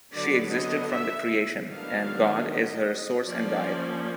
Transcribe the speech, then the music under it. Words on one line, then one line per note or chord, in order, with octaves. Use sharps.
She existed from the Creation, and God is her source and guide.
D3 F#3 B3 D5
D#5
E5
D#3 F#3 B3 D4 F5
D#5
F3 A#3 C#4 D5